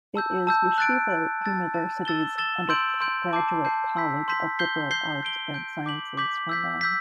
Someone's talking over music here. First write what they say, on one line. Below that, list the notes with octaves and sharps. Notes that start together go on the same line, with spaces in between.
It is Yeshiva University's undergraduate college of liberal arts and sciences for men.
A5 E6 G6
A5 E6 G6
F#6 A6 D7
F#6 A6 D7
A5 E6 A6
A5 E6 A6
E6 A6 E7 G7
E6 A6 E7 G7
C6 E6 G6 D7 F#7
C6 E6 G6 D7 F#7
A5 D6 G6 C7
A5 D6 G6 C7
C6 E6 G6 B6
C6 E6 G6 B6
G6 C7 G7
G6 C7 G7
G6 D7 G7
G6 D7 G7
D6 G6 B6 F#7
D6 G6 B6 F#7
E6 G6 B6
E6 G6 B6